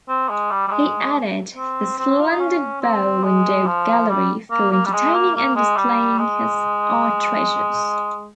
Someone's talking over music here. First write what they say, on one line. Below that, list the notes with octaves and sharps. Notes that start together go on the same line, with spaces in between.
He added the splendid bow windowed gallery for entertaining and displaying his art treasures.
C4
G#3
G3
G3
G#3
C4
C4
F4
D#4
C#4
C4
G#3
F3
G3
A#3
A#3
G3
G#3
A#3
A#3
G#3
G3
G#3